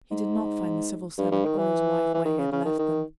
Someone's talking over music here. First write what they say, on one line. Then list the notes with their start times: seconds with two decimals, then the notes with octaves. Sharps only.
He did not find the civil servant or his wife where he had left them.
0.11 G#2
1.18 G2
1.31 G2
1.45 D#3
1.58 E3
2.14 E3
2.25 D#3
2.39 C#3
2.52 C#3
2.65 D#3
2.79 D#3